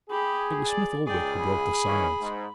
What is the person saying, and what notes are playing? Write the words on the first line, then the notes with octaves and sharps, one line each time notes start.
It was Smith-Oldwick who broke the silence.
G4 G#4 B5
D5
C#2 G#4 D5 G5
B5
D#3 E3 C#4
G#2